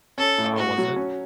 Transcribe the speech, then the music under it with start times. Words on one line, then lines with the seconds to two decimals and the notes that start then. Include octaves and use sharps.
Oh, was it?
0.18 C#4 A4
0.38 A2
0.57 A2 F#4
0.78 F#3
0.96 C#4